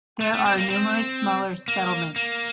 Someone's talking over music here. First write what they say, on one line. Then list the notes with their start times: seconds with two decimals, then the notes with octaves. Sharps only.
There are numerous smaller settlements.
0.21 A3
0.33 A3
0.46 C4
0.58 A#3
0.70 C4
1.68 A#3
2.16 A#3